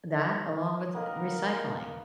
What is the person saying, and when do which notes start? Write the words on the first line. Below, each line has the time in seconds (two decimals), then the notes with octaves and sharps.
that along with recycling.
0.95 D#3 A#3 B3 A#4